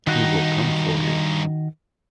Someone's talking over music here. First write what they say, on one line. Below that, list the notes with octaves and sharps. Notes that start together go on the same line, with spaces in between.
He will come for you.
G2 D#3 D#4 F#4